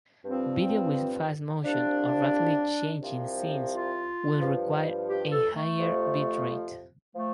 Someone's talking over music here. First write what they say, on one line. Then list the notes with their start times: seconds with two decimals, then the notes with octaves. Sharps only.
Video with fast motion or rapidly changing scenes will require a higher bit rate.
0.25 G2 C4
0.30 F3
1.63 C2 C3 F3 D4
3.01 C2 C3 F3
3.70 F4
4.40 G2 F3
5.08 G4
5.31 A4
5.54 A3
5.78 F2 C3 F3
7.15 F3 A3